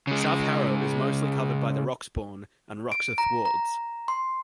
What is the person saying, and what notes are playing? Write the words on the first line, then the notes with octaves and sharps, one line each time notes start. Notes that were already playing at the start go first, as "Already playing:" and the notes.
South Harrow is mostly covered by the Roxbourne and Roxeth wards.
C#3 G#3
D7
A#5
A#5
C6